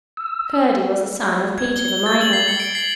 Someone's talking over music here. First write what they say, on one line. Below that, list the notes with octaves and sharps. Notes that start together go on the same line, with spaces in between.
Curdie was the son of Peter the miner.
E6
G#6
G7
G7
A6
F#7
C7
C#7
D7
C7